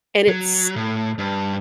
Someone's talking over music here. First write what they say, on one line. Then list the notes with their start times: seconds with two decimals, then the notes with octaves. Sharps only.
And it's
0.28 F#3
0.76 A2
1.18 G2